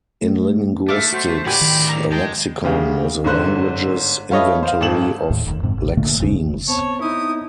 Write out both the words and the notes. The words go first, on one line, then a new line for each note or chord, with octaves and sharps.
In linguistics, a lexicon is a language's inventory of lexemes.
A3
A3 E5 F5 D6
F#4 C5
A2 F#4 G4 D5 G5 G#5 B5
D#3
A#5
G#3 G5 A5 G6
D2 C#3 G#3 G4
G1 G#2 D3 A3 C5 F#6
F4 A4 B4 C#5 D#5 E5
C5 F5
G#1 G#2 A4 E7 F#7
D#2 A2 D#3
F1 D#2
F2 G#2 C3
A1
A#2 D3 A3 A#3
F#1 D#2 A#2 C#3
B3 C4 C5 C#5 A5
D#4 E4 D#6